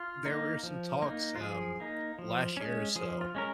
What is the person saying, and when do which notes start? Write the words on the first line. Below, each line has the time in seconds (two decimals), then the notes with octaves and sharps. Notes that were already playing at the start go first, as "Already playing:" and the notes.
There were some talks, um, last year or so,
Already playing: F4
0.25 A#3 D#4
0.63 F3
1.02 A#3 D#4
1.35 F4
1.41 F3 G#4
1.80 A#3 D#4
2.19 F3
2.57 G#3 C#4
2.96 F3 G#4
3.21 F4
3.35 G#3 C#4 A#4